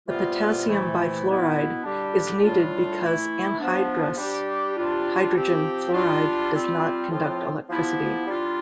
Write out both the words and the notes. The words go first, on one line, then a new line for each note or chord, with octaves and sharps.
The potassium bifluoride is needed because anhydrous hydrogen fluoride does not conduct electricity.
C3 E3 G3 B3 F4
C3 E3 A3 E4
B2 B3 E4
D3 G3 D4 G4
A2 G3 D4 F4
E3 A3 E4
F3 B3 D4
G3 D4 G4
C3 G3 D4 F4
F3 C4 G4
G3 D4 F4
G3 C4 F4
A2 F3 C4 F4
F3 B3 E4 G4
G3 D4 F4